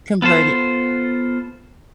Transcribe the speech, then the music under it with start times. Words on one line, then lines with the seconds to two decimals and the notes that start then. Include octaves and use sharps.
convert it?
0.22 B3 F4 A4 C5